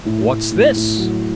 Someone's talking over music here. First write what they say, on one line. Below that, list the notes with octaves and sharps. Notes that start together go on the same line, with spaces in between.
"What's this?"
A2
A2
A2
A2
F#3